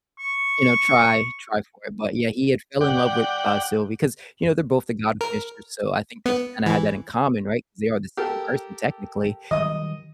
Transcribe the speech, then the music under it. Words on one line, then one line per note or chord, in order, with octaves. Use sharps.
you know, try try for it, but yeah, he had fell in love with, uh, Sylvie 'cause, you know, they're both the God of mischief, so I think they just kinda had that in common, right? 'Cause they are the same person technically,
C#6
D5 F#5 G5
A#4
B3
E3
G4 A4 A#4
D#3 F#3 G3 D#5 D#6